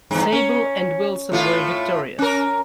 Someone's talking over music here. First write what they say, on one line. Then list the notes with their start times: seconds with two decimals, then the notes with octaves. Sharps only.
Sable and Wilson were victorious.
0.11 E2 G2
0.32 C#4
1.32 A2 A3 F4
2.19 C#4 A#4